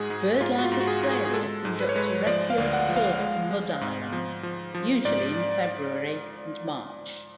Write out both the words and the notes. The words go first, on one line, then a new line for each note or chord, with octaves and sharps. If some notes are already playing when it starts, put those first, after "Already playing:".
BirdLife Australia conduct regular tours to Mud Islands, usually in February and March.
Already playing: G#2 G#3 F#4 G#4
G#2
G#2 F4
F#4
F4
G#2
F#4
G#4
G#2
G#4
G#4
G#3 A4
G#2
B4
C#5
G#3 B4
F3 D5
F5
D2
F#5
F3
F5
G#3
G#3
G#2
F3
F3
F3
G#2 D5